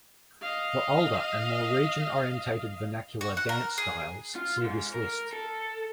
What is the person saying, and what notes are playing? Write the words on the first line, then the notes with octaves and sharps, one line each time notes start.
For older and more region-oriented vernacular dance styles, see this list.
D#5 F5
F#4
F#5
A#4
G#4
F4
G#2
A#4
A4